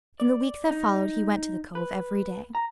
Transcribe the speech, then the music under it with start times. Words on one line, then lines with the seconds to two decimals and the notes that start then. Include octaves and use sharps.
In the week that followed he went to the Cove every day.
0.20 D5
0.71 D#4
1.75 B4
2.55 A#5